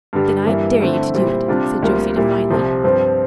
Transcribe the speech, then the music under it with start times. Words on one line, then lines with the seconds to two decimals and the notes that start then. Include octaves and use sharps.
"Then I dare you to do it," said Josie defiantly.
0.13 G2 D3 G3
0.46 G2 E3 G3 A#3 E4
0.80 D3 A3 C4 E4
1.14 A#2 G3 C4 E4
1.48 C3 G3 D4 F4
1.82 D2 C3 G3 A#3 F4
2.16 A#2 G3 A#3 E4
2.50 C2 C3 F3
2.84 G2 F3 C4